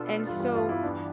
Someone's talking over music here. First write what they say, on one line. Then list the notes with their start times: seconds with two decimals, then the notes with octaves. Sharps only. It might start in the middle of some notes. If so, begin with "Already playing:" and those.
And, so
Already playing: B2 B3 D4 F4 A4
0.26 G2 E3 G3 B3 F4
0.40 F4
0.55 F4
0.69 E4
0.83 D4